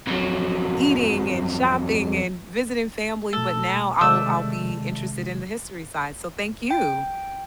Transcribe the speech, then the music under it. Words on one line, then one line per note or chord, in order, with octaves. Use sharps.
eating, and shopping, and visiting family, but now I'll I'll be interested in the history side, so, thank you.
F2 F#3
B2 A3 A4
C3 D#3 G#3 A3 D5 E6
G5